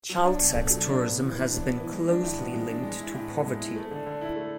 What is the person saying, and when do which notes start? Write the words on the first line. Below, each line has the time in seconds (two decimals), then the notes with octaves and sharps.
Child sex tourism has been closely linked to poverty.
0.09 F#3
0.25 D4
0.39 B2
0.56 A3
0.71 F#3
0.86 D4
1.01 B3
1.16 E3
1.31 E3
1.47 D4
1.62 B3
1.77 E3
1.92 G#3
2.08 D4
2.23 A2
2.39 B3
2.54 G#3
2.69 D4
2.83 G#3
2.99 E4
3.14 A2
3.30 B3
3.45 G#3
3.60 E4
3.76 A3
3.91 D3
4.06 D3
4.21 E4
4.36 A3